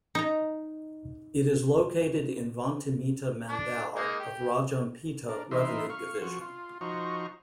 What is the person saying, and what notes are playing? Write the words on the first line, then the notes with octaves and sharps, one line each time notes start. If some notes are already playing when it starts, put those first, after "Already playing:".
It is located in Vontimitta mandal of Rajampeta revenue division.
D#4 A#5
D4
G#3 A#3 D#4
G4
D4 A#4
E3 D#4 A#4 E5 C6
F5 C#6
F3 F#4 C#6
F4
F3 D#4 F#4 C5 A#5 C#6